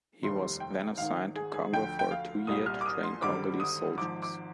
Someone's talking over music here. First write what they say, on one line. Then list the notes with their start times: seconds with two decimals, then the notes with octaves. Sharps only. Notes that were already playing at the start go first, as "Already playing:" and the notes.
He was then assigned to Congo for a two-year to train Congolese soldiers.
0.23 F1 D#2 D#3 G3 C6
0.60 G5
0.98 G#1 G#2 D#3 F5
1.36 G#4
1.54 G#4
1.73 D2 D3 F3 G5
1.99 G5
2.11 F5
2.47 C2 A#2 G3 D#6
2.66 F6
2.81 D6
2.86 D#6
3.03 C6
3.22 G#1 G2 D3 G3 D6
3.60 D#6
3.97 G#1 G#2 F3 D6
4.22 D6